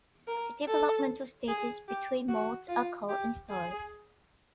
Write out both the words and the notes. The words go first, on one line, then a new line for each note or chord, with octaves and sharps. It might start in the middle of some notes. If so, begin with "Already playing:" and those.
The developmental stages between molts are called instars.
A#4
A4
G#4
G4
F#4
F4
G4
G#4